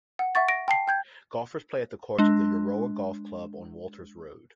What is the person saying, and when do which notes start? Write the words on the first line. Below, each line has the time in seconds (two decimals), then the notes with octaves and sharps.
Golfers play at the course of the Euroa Golf Club on Walters Road.
0.19 F#5
0.35 E5 F#5 C#6 A6
0.49 A#6 D7
0.68 G5 A5 C7
0.88 G5 G6 G#6
2.18 G#3 D4